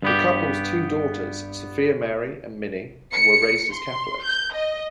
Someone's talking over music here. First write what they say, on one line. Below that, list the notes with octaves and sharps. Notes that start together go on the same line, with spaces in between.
The couple's two daughters, Sophia Mary and Minnie, were raised as Catholics.
G2 B3 G4
C#7
C6
G6
D#5